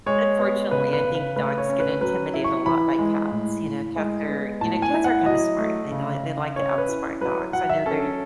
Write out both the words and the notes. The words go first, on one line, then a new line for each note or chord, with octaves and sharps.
unfortunately, I think dogs get intimidated a lot by cats. You know, cats are you know, cats are kinda smart, they know they like to outsmart dogs, I know they're
G#3 C#5
B3
C#3 B4
B4
C#3
B4
A3 B4
C#5
C#4
B4
F#3 B4
E4
C#6
E3 B5
G#3
A2
A2
G#3
B3
A2 A5
G#5
E4
F#5
F#3 D#5
A3
C#3
C#3
C#4 C#5
B4
E4
F#3 B4
F#3 F#5
E5
C#4 A4